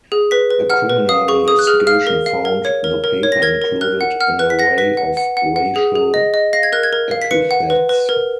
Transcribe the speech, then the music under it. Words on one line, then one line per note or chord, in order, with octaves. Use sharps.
A criminal investigation found the paper included an array of racial epithets.
G#4
B4 B6
B4
F#5 F6
B4
F5 D#6
G#4 C#6
G#4 D#6
F#6
G#4 F6
F5 F6
A#4
F5
A#4
C#5
A#4
A#4
C#5
A#6
A#4 G#6
A#4
A#4 F#6
F#5
F#5 F6
B4 F#6
B6
F#5 A#6
B4 B6
F#5
F#5
F#5
F#5
G#4
G#4
D#5
D#5
F5 A#6
G#6
A#4 F#6
G#6
A#4
F5
B6
B4 C#7
F#5
B4
B4
A#4